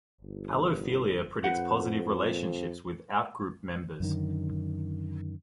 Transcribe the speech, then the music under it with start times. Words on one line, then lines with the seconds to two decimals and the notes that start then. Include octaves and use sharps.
Allophilia predicts positive relationships with outgroup members.
0.21 G1
1.44 F2 B4 C5 F#5
4.00 F#2 D3 D#3